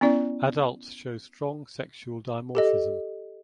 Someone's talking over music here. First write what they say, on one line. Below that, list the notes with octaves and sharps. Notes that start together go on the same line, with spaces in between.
Adults show strong sexual dimorphism.
B3 C#4 E4 D5
G4 A4 D#5